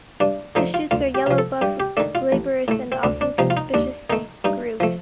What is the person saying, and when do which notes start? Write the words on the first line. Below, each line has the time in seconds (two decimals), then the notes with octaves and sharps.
The shoots are yellow-buff, glabrous, and often conspicuously grooved.
0.20 G2 D4
0.55 D3 F3 A3 D#4
0.74 F4
0.91 D2 F4
1.15 G4
1.27 C3 F3
1.38 A4
1.62 G2 G4
1.80 G4
1.97 D#3 A3 D4
2.15 F4
2.32 A1
2.68 A2 A3
2.92 C4
3.03 D2 D4
3.21 D4
3.38 C3 F3 D#4
3.50 F4
3.57 D#4
3.74 D#2 D4
4.10 D#3 A3 D#4
4.44 G2 D#4
4.80 F3 A3